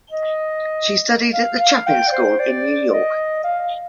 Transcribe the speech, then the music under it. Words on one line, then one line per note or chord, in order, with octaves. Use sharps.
She studied at the Chapin School in New York.
D#5
F5
F5
G5
D5
C5
D5
D#5
F5